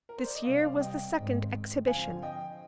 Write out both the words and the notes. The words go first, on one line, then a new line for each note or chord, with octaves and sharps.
This year was the second Exhibition.
A#4
C5
D5
D#5
C3 G3 C4 D5 F5
D5 F5
D#5 G5
G#2 D#3 G#3 C4
D3 F3 C4 F5 G#5
D#5 G5